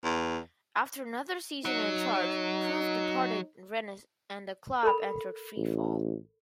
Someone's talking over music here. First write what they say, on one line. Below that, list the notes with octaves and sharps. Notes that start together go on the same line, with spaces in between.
After another season in charge, Prouff departed Rennes and the club entered free-fall.
E2
F#3 D#4
A4 A#4 B5
A1